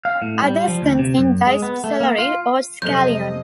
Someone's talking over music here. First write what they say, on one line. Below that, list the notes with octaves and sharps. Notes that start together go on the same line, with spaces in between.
Others contain diced celery or scallion.
F5
A2
G3
F3
D2
C3
F#2
G#3
B3
A3
A#3
F4
F2 C3 F#3 A4 D#5 G6